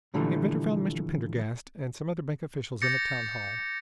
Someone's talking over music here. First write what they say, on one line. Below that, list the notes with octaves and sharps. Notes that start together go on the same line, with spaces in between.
The inventor found Mr. Pendergast, and some other bank officials in the town hall.
A#2 D3 E3 F3 G3 A3
D6 G6 A6 A#6 C#7